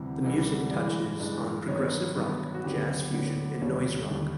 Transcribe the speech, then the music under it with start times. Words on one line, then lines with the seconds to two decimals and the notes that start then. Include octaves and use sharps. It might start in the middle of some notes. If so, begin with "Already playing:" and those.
The music touches on progressive rock, jazz fusion and noise rock.
Already playing: D2 C3 E3 G3
0.23 D2 C3 E3 G3
0.71 G2 E3 G#3 D5
1.20 G2 E3 G#3
1.68 G2 D#3 F#3 B3 C#5
2.16 G2 D#3 F#3 B3
2.54 F#4
2.64 D2 D3 F#3 B3 G4
3.13 D2 D3 F#3 B3
3.61 D#2 D3 G3 C#5
4.10 D#2 D3 G3